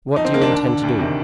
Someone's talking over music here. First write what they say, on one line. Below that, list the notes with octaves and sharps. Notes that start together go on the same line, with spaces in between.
What do you intend to do?
F2 D#4
C4
D3 A#3
D4
D#2
D3
D2
C3 D#3